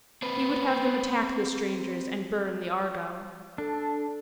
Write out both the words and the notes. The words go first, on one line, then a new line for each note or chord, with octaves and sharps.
He would have them attack the strangers and burn the Argo.
C4 B4
D4 A4